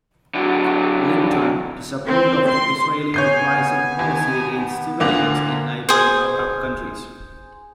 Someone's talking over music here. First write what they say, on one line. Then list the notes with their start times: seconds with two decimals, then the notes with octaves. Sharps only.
Linton disapproved of the Israeli reprisal policy against civilians in neighboring Arab countries.
0.35 D3 F#3
2.07 C4
2.49 C6
3.14 B3 C#5 G#5 G6 C7
3.99 D#2
4.54 B3
5.00 D2 D3 A#3
5.89 G#4 C5